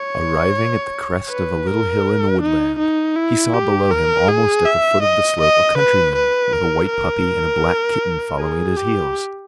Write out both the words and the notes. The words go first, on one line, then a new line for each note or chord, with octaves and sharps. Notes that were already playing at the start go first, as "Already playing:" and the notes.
Arriving at the crest of a little hill in the woodland, he saw below him, almost at the foot of the slope, a countryman with a white puppy and a black kitten following at his heels.
Already playing: C#5
B4
A#4
D#4
D#4
E4
G4
A#4
G#4
E5
D#5
D#5
B4
B4
A#4
A#4
G#4
G4